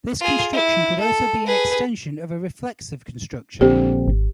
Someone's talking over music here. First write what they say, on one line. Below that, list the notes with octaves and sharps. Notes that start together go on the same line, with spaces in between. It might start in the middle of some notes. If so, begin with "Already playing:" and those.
This construction could also be an extension of a reflexive construction.
F4 G#4
E4
A4
G#4 B4
A#1 D3 C4 G4
G#1